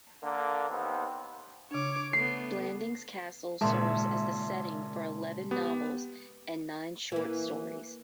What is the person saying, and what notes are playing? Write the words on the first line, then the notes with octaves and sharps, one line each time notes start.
Blandings Castle serves as the setting for eleven novels and nine short stories.
D3 A#3
D#2 B3 C4
C#3 D4 C#5 D6
A3 B3 C7
G#1 A#2 C#3 G#3 A#3 E5 A5 C6
B3 G4
E3 A#3